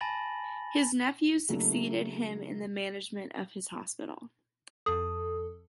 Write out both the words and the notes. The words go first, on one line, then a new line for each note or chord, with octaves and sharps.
His nephews succeeded him in the management of his hospital.
G#5 A5 B5 A6 A#6 F#7
C#3 F#3 A3 A#3 D4 E4
F2 A4 D#6